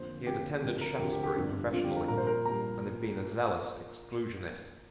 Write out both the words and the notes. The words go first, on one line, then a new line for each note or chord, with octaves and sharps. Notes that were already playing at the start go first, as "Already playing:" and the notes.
He had attended Shaftesbury professionally, and had been a zealous Exclusionist.
Already playing: F2 D3 A#3 C5
F2 D3 A#3 G4
D2 C3 F3 G4
A#4
D2 C3 F3 G4
G4
G4
G1 F2 C3 F3 D4
G1 F2 C3 F3 D4 F4
G4
A#4
A#1 A#2 G3 A#4
C5
A#4
A#2 G3 A#5